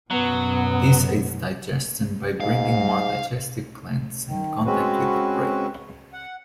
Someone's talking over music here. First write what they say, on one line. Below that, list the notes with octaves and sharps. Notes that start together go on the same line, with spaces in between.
This aids digestion by bringing more digestive glands in contact with the prey.
F#2 B2 F#3 B3
G#2 F5
D#3
G#3 C4 C#4 F#4 B4
F#5